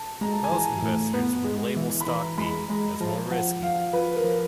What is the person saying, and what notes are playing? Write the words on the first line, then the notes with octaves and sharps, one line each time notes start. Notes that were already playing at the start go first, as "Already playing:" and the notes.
Most investors would label stock B as more risky.
Already playing: A5
G#3 A#5
A5
G#5
E3 A5
A2
B3
G#3
E3
B5
E3 A#5
G#3 B5
G#3 A#5
A#5
F3 A5
F3 F#5
F3 F5
F3 B4
A#4
F3